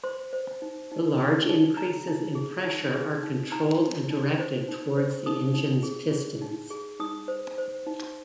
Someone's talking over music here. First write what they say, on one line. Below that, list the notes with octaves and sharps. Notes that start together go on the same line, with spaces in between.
The large increases in pressure are controlled and directed toward the engine's pistons.
C5 C6
C5
D#4
D#4
G#4
D#4
D#4 A#5
D#4
G#4
D#4
G#4
D#4
D#4 A#5
D#4
D#4
C5
D#4
C5
D#4 D#6
D#4
G#4
G#4
D#4
G#4
D#4 D#6
C5
C5
D#4